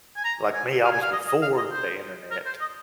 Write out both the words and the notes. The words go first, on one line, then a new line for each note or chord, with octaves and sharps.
like me, I was before the internet,
G#5
A#5
G#5
F5
G#5
F5
D#5
D#5
F5
D#5
C5
A#4
C5
D#5